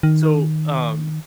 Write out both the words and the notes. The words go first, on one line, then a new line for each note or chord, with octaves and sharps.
so, um,
D#3